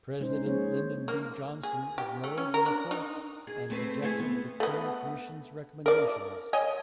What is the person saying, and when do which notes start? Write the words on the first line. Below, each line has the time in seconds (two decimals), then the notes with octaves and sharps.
President Lyndon B. Johnson ignored the report and rejected the Kerner Commission's recommendations.
0.20 G#3 C#4 D#4 C5
0.45 F3 A#3 C#4 G#4 C5 C#5
1.08 A#3
1.63 G#4
1.98 G4
2.24 A3
2.38 C#4
2.54 A#4
2.66 D4
2.91 D#4
3.47 G#4
3.70 A3 C4 B4
4.03 A3 E4 G#4
4.19 B3
4.60 A3 B3
5.86 A#4 D5
6.53 C#5 D#5 G#5